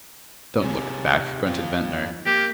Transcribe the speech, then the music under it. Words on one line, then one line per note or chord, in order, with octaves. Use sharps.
"Don't look back," grunted Ventnor.
C3 G#4
F2 F4
A#3 G4